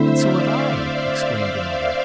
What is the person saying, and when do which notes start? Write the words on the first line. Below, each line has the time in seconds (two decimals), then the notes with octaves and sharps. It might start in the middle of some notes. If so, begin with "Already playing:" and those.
"And so have I," exclaimed another.
Already playing: D3 A3 C4 E4 C5 E5
0.13 D5 F5
0.47 C5 E5